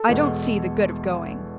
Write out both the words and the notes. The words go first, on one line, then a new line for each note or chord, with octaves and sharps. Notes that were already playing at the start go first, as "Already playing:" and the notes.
I don't see the good of going.
Already playing: A4
E2 B2 G#3